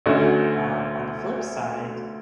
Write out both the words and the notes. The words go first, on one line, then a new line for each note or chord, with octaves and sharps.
um, on the flip side,
D2 D3 A3 C#4 F#4